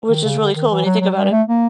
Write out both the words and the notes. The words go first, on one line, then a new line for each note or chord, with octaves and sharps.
Which is really cool when you think about it.
D#3
C#3
D3
D#3
E3
F#3
F#3
G3
A3
A#3